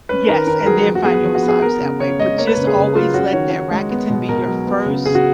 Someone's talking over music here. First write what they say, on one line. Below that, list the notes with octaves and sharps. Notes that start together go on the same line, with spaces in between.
Yes, and then find your massage that way, but just always let that Rakuten be your first
C#4 B4
D#3 A#4
D#3 A#4
A#4
F#3 G#4
F3
F#4
B3 G#4
B4
F3
F#4
B3
G#4
B3 A#4
C#3
C#3 C#5
G#3 D#5
A#3 C#5
B4
C#3
G#4
C#3
F#3 F4
C#4 F#4
D#3 C#5
D#3
G#3
B3
B2
B2 A#4
F#3
B3
C#3
C#3 G#4
F#4